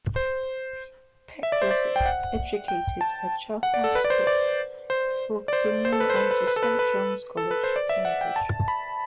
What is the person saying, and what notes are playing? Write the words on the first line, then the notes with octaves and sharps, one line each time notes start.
Peck was educated at Charterhouse School, before continuing on to Saint John's College, Cambridge.
C5
E5
D5
C5
D5
G5
F#5
G5
A5
F#5
D5
A4
B4
D5
C5
D5
C5
D5
C5
C5
A4
B4
C5
B4
B4
B4
A4
B4
B4
A4
B4
C5
D5
E5
F#5
G5
A5
B5